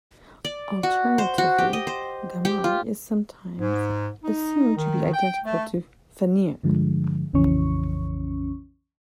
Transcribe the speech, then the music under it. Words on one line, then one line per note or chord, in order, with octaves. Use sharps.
Alternatively, Garmr is sometimes assumed to be identical to Fenrir.
D5
F#4
C5
F#4
G4
D#5
C5
G4
F4
G#2
D#4
D#3
G5
A3
G2 D3 F3 G#3
A#1 F2 C#3 E3 C#4 C#6